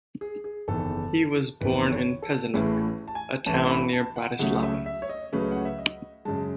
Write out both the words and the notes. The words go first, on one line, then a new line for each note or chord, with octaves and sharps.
He was born in Pezinok - a town near Bratislava.
G#4
G#4
F#1 E2 D#3 A4
F#1 E2 D#3 B4
C#5
A4
A1 A2 E3 A3 C#4 G#4
A5
G#5
A1 A2 E3 A3 C#4 A5
B5
A5
F#5
C#2 C#3 F#3 A3 C#4 F#5
E5
E5
C#5
D#5
C#2 C#3 F#3 A3 C#4 B4
F#5
E5
D#5
F#2 C#3 G#3 A5